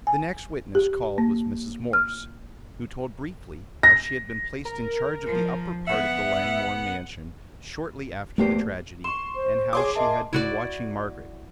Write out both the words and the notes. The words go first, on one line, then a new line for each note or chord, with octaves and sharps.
The next witness called was Mrs. Morse, who told briefly how she had been placed in charge of the upper part of the Langmore mansion shortly after the tragedy, and how she had been watching Margaret.
G#5
G4
A#3
F6
A#6
A#4
F3
B3 E5 F#5
E2 A3 A#3 G4 C5
C6 C#6 E7
C5
G#4 C#5 C6 D6
A#4 D#5 E5 A5
E4 F#4 D5